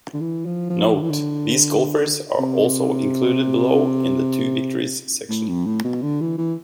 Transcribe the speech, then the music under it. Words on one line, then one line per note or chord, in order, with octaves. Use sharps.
Note: These golfers are also included below in the "Two victories" section.
D3
E3
F3
F3
D3
E3
D3
C3
A2
F2
A2
B2
D3
E3
E3